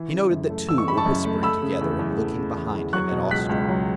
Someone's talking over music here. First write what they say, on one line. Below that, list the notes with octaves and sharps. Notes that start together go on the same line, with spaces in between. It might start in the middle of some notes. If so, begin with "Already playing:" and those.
He noted that two were whispering together and looking behind him at Ostrog.
Already playing: E3
C#3
F#2
A3
E3 E6
C#6
C#3 B5
A5 C#6
F#2
A3
A3 B5 E6
C#3
E2
E2
A3
C#3
E2
E2
F#3 C#6 F#6
B2
C#2 F#6 B6
C#2
F#3